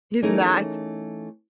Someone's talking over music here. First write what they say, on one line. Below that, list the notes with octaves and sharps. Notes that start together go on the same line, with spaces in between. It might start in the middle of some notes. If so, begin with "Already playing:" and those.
is not
E3 A3 C#4 D#4 G#4 A#4